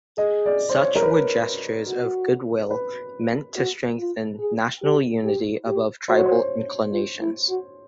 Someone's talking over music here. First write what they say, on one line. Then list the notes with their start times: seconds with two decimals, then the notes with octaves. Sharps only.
Such were gestures of goodwill meant to strengthen national unity above tribal inclinations.
0.18 G#4 D#5
0.46 D5
0.69 C5
0.75 C#5
0.95 A#4
1.02 B4
1.87 F#4
2.71 B4
3.56 F#4
3.98 F4
4.39 G#4
4.82 G4
5.24 G4
5.66 G4
6.08 F#4 C5
6.18 C#5
6.25 C5
6.92 F4
7.21 E4
7.49 F#4